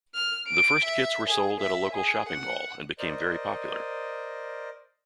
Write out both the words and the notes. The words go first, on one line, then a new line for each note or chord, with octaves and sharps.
The first kits were sold at a local shopping mall and became very popular.
F6
D7
E5
G#4
E5
G#4
F#5
A#4 C5 D5 D#5